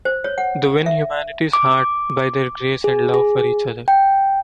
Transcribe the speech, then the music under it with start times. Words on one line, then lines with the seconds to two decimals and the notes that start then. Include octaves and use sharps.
They win humanity's heart by their grace and love for each other.
0.05 C5
0.24 C#5
0.38 F#5
0.86 E5
1.53 D6
2.84 G#4
3.14 G#4
3.88 G5